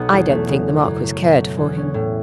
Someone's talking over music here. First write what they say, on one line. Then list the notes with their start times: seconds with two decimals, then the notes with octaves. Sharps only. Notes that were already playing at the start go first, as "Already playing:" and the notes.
"I don't think the Marquis cared for him."
Already playing: B1 B3
0.12 E2
0.30 A3
0.48 C#3
0.67 C#4
0.84 F#2
1.03 A3
1.22 B2
1.40 A3
1.57 E2
1.77 C#4
1.94 A2